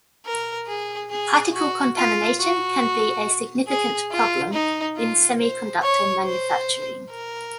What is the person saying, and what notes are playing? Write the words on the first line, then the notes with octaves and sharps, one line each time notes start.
Particle contamination can be a significant problem in semiconductor manufacturing.
A#4
G#4
G#4
F#4
F4
F#4
G#4
F4
D#4
F4
C5
C#5
C5
A#4